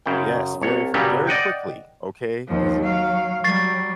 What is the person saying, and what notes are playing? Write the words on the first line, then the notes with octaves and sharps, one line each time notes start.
Yes, very f very quickly, okay? 'Cause i
F#2 C#3 G5
C2 C#5
G2 A#2 C#3 F#3 G3
D5 D#5 F#5 G5
D#2 F3
F#3 F5
F#3 G3 C#6 A6 C7